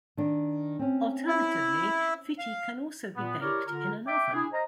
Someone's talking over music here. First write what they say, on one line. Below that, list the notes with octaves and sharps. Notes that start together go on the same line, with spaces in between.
Alternatively, phitti can also be baked in an oven.
D#3 D4
C4 C#4
E4
F5
A#2 B3
E4 G4 A#4 C#5 D5
D3 F4 A#4
E5 G5 D6
D4 E4 G#4
C5 D#5 A#5